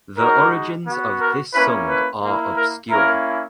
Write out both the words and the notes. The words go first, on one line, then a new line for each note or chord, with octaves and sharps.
The origins of this song are obscure.
G#3 D#4 F#4 A#4
B3 F#4
A#4
A#3 C#4 E4 B4
B4
A#3 E4
A#4
A#3 C#4 E4 A#4